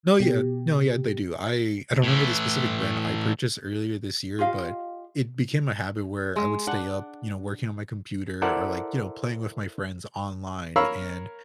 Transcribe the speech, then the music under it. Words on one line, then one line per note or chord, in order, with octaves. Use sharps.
No, yeah. No, yeah, they do. I I don't remember the specific brand I purchased earlier this year, but, it became a habit where I would stay up, you know, working on my computer or, like, you know, playing with my friends online, and,
B2 G4
A2 E3
F4 G4 D#5 F5
G#3
D4 F#5
E4 A4 A#4 C5 D5 F#5
A#4 C#5 F5 B5 C#6 E6